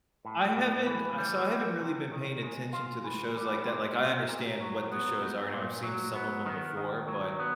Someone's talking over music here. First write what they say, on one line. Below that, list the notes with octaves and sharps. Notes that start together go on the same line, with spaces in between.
I haven't, I so I haven't really been paying attention to the shows like that, like I understand what the shows are, and I've seen some of 'em before, but
A2
A2
E3
G3
C4
C3
D#3
G#3
F4
E3
G3
C4
A#2
A#2
F#3
B3
D#4
A#2
F#3
B3
D#3
D#3
F#3
B3